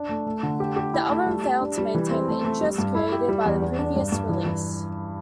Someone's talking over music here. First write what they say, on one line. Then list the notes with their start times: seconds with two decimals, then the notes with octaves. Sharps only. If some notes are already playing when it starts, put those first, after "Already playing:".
The album failed to maintain the interest created by the previous release.
Already playing: D4
0.09 A3
0.26 A3
0.43 D3
0.60 G4
0.76 G4
0.94 E4
1.10 A3
1.27 G3
1.44 G3
1.60 D4
1.78 G3
1.95 E3
2.11 C4
2.28 A3
2.45 A3
2.61 G3
2.78 G2
2.95 E4
3.12 G4
3.28 G3
3.45 E2
3.62 E2
3.79 D4
3.96 G2
4.12 G2
4.29 E3
4.46 E3